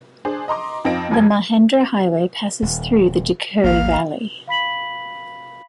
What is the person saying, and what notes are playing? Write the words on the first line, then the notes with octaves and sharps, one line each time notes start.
The Mahendra Highway passes through the Deukhuri Valley.
D4 G#4 C5
D#5 A#5 C6 D6
F2 C4 D#4 F4 A#6 D7
G1 F2 G3 G#5 G#6
D#1
A1 D#2 G#2 A#3 F5
F5 B5 B6 F#7